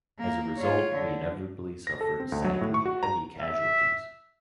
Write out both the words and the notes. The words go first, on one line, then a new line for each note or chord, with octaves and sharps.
As a result, we inevitably suffered sadly heavy casualties.
A#3
F4 C#5
D3
A#6
A4
C4
D2
F#3
A2
C#6
F#4
A#5
E5